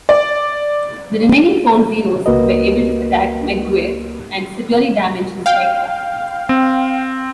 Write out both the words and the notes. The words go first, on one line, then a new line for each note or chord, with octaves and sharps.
The remaining four Zeros were able to attack McGuire and severely damage his aircraft.
D5
C#2 A#3 F#4 A#4 B4 D#5
F5 G5
C4